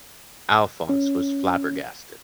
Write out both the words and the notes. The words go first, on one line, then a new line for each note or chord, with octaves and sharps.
Alfons was flabbergasted.
C#4